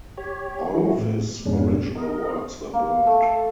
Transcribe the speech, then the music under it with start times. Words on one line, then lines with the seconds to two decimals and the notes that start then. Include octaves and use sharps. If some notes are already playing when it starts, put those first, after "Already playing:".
All of his original works were burned.
0.18 G4 C#5
0.75 E3 F#3 G#3 E4 F#4
0.98 A2
1.45 F2 G#2 B2 G#3 C#4 D4
1.95 A#4 D#5
2.73 A#3
3.07 A3
3.22 A4